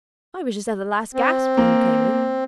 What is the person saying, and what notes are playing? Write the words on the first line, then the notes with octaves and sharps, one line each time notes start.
I was just at the last gasp when you came in.
C4
A#3